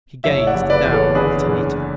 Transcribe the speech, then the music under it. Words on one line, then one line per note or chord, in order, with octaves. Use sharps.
He gazed down at Anita.
F#1 C#5 E5
D5 F#5
F#1
B4 D5
E2
A4 C#5
D3 G#4 B4
F#1